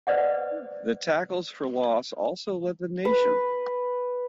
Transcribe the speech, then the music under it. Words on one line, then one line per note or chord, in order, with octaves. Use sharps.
The tackles for loss also led the nation.
B4 C5 D5 D#5 F#5
B4